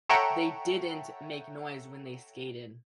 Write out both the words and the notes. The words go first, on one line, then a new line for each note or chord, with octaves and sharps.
They didn't make noise when they skated.
A4 C#5 E5 F#5 G5 A#5